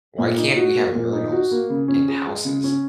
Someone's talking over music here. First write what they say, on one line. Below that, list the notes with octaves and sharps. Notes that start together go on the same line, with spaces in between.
"Why can't we have urinals in houses?"
A#2
D#4
F#4
A#3
A#2
D#4
F#4
A#3
C#3
C#4
G#4
G#3
C#3
C#4